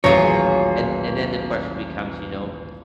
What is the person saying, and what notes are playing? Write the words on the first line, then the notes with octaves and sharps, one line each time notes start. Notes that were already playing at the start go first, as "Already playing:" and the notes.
and and then the question becomes, you know,
D#1 A1 F#3 F4 G#4 C#5 A#6